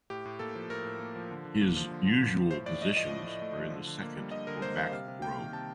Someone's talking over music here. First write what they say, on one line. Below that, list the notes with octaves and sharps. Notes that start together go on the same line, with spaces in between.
His usual positions are in the second or back row.
A2 G4
A2
A#3 A4
F3
A2 A#4
A2
A#3
F3
D3
D3
A#3
F3
D3
D3
A#3
F3
A2 C5
A2 D5
A3 D#5
F3 D#5
A2
A2
A3
F3
D3
D3
A#3
G3
D3 D#5
D3 A#4
A#3 C5
G3 F5
C3 F5
C3
A#3 G5
D#3
C3 A5